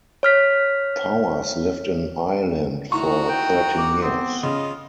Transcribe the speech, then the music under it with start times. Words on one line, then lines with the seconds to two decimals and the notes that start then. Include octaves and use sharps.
Powers lived in Ireland for thirteen years.
0.23 C#5 F6 B6
2.92 D#3 E4 F#4 A#5 C#6
3.29 G5
3.78 D6
4.02 B3 C4
4.43 C#3 F4 D#5